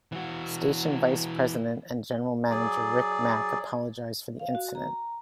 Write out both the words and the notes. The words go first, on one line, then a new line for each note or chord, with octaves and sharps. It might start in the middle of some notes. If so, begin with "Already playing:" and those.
Station vice-president and General Manager Rick Mack apologized for the incident.
E3 F#4
F#3 G#4 D5
F5
F#4
A#5